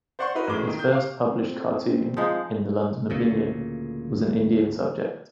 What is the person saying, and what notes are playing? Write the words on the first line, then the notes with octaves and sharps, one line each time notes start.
His first published cartoon, in the "London Opinion", was an Indian subject.
C5 D5 F#5 C6 C#6
D#4 E4 F#4 A#4 B4
A1 A2 F#3 G#3 D6 G7
D#3
G6
F5 D6
C4
F3 G#3 D#4
D2 A#2 C#3